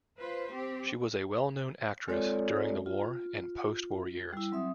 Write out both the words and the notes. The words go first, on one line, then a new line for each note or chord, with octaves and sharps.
She was a well-known actress during the war and post-war years.
F4 B4 C5
C4 G4
G#3 C4 F4 A4 C#5 D5
F4
G3 E4
F#3 C4 E5 D#6